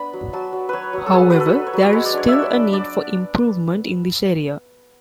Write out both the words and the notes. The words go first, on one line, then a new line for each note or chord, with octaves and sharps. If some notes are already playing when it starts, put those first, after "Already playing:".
However, there is still a need for improvement in this area.
Already playing: B3 D4 B5
F#3
F#3 A5
F#3
F#3 B4 C#5
F#3
A4
B3 G#4
F#3 B4
A4
F#3
C#5
F#3
G#3 C#5
D5
D4 C#5
D4 D5 E5
D4
D4 D5